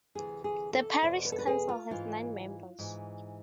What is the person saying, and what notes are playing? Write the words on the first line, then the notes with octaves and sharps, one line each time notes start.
The parish council has nine members.
D2 C3 E3 G#4
G#4
A4
E2 B2 C5
B4
A4
B4
G#4
F4
G#2 E3 F4
G#2 E3